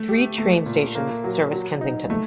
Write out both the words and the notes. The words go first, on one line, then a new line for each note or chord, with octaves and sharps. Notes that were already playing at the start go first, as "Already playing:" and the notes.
Three train stations service Kensington.
Already playing: A3
G4
A3
A#2
A#3
F#3
F#3
D#4
A3